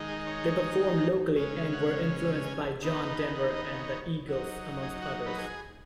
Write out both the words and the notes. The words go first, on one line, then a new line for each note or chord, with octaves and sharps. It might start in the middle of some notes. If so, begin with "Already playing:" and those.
They performed locally and were influenced by John Denver and The Eagles, amongst others.
Already playing: D#3 G#3 D#4
G#4
C#5
C#3 G#3 C#4
F#5
G#5
D#3 B3 D#4
G#5
F#5
D#5
C#5
F#3 D#4
G#4
F#4
B4
G#4